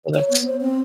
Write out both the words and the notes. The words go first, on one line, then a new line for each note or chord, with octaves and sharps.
So, that's
C#5
B3
C5
C4